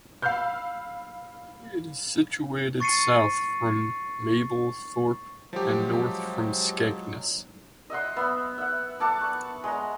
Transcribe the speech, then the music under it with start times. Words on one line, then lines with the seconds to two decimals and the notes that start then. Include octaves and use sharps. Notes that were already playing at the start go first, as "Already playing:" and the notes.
It is situated south from Mablethorpe and north from Skegness.
0.22 F5 B5 E6 F6 G6
2.80 C#6 A6 C7 C#7 D#7
5.53 F3 F#3 G#3 G4
7.90 D#5 E5 F#5 C6
8.16 B3 E5
8.58 E5 F#5
9.00 A4 F#5 A5 D6
9.21 C#6
9.64 G#3 A#5